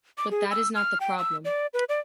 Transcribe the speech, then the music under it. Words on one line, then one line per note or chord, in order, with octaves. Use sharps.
But that is not the problem.
D6
G#4
E6
F6
G5
E6
D5
B4
D5